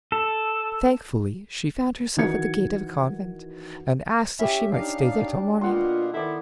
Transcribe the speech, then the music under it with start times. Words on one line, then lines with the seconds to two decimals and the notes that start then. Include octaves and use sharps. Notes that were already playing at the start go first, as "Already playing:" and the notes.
Thankfully she found herself at the gate of a convent, and asked if she might stay there till morning.
0.12 A4
2.17 D#3 E3 F#4 G#6 C#7
4.39 C#4 G4 E5
4.72 D4 D#4 F5
5.61 B2 D3 A#3 F4 F#5 C6
6.14 D#3 B3 E4 A4 D5